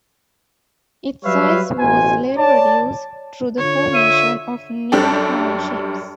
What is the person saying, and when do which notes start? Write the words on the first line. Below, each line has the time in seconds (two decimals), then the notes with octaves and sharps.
Its size was later reduced through the formation of new townships.
1.24 F#3 G3 B4 C#5 E5 F5
1.79 A1 B2 C5 G#5
2.38 C#5 D5 A5
3.58 D3 F4 C#5
3.94 E5 D#7
4.92 F#2 G3 D4 G4 A4